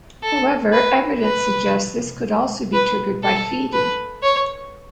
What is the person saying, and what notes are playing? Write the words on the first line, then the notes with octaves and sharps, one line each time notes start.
However, evidence suggests this could also be triggered by feeding.
A4
B4
B4
B4
A4
B4
C#5